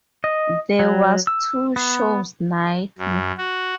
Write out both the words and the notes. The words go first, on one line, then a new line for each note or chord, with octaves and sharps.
There was two shows nightly.
D#5
F#3
E6
B3
F#2
F#4